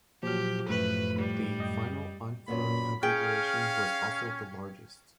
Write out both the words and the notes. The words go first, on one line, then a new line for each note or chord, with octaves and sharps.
The final unflown configuration was also the largest.
A#2 F3 F#3 G4 F6
F#2 A2 A3 B4
G3
F#2 D#5 G5
F#2 A#2 B3 B5
C#4 G#4 F5 G5